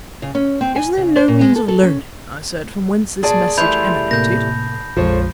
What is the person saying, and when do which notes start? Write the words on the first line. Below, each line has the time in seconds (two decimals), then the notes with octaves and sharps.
"Is there no means of learning," I said, "from whence this message emanated?"
0.22 C#3
0.35 C#4
0.61 C4
0.76 G#5
0.97 C#3
1.16 C5
1.28 A#2
1.41 G#3
1.56 A4
1.68 A4
1.83 C#4
3.23 A#2 G#4 D5 A5
3.58 E3 G3 A3 B5 C6 G6 G#6 F7
4.11 A2 C3 A#3 G6 A#6
4.97 A#1 F2 F3 G#3 A4 C5 C#5